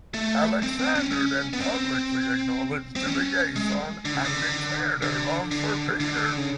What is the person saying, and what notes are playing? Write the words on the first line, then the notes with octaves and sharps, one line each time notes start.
Alexander then publicly acknowledged the liaison and declared her love for Peter.
A3
C4
C4
C#4
C#4
B3
C4
C4
C#4
G#3
D3
C#3
D3
D3
D3
D3
C#3